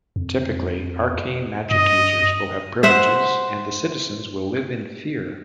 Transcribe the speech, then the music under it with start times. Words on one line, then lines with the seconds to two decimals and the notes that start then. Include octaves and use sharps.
Typically, arcane magic users will have privileges, and the citizens will live in fear.
0.16 F2
1.71 G2 D#5
2.83 C5 E5 F#5